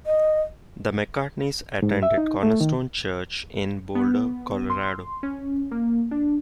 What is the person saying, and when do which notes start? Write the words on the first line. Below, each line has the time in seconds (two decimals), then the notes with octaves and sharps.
The McCartneys attend Cornerstone Church in Boulder, Colorado.
0.06 D#5
1.82 G#2
2.03 E5
2.18 D#4
2.43 A3
2.61 D#3
3.95 B3
4.70 C6
5.23 C#4
5.71 A#3
6.11 D4